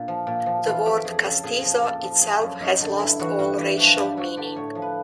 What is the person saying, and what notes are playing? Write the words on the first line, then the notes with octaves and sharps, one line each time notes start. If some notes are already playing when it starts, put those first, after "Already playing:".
The word "castizo" itself has lost all racial meaning.
Already playing: A#2 D4
F3
A#2
F3
E3 F4
F2 G4
G4
F2 G#4
C#3 A4
A#2 G#4
F3
A#2 A4
F3
F3 G#4
F#2
F#2 D#4
D3
G2 E4
E3 F#4
G2 F#4
E3 G4
F3 F#4
G2 G4
G2 F#4
D3 G4
A2 C#5
F3
B4